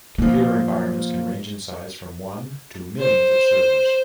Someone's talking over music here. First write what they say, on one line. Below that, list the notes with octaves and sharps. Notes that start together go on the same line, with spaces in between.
Computer environments can range in size from one to millions of servers.
A#2 F3 A#3
C5